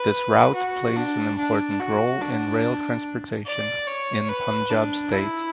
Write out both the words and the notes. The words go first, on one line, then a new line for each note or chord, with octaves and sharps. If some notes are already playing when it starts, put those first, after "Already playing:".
This route plays an important role in rail transportation in Punjab state.
Already playing: B4
F#4
D4
D4
F#4
D4
D5
C#5
B4
D4
E4